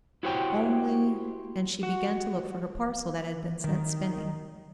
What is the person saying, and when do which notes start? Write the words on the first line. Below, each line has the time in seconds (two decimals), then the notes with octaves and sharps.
"Only--" and she began to look for her parcel that had been sent spinning.
0.23 E4 F#4 G4 C5 C#5 G5
1.83 F#4
3.64 D#3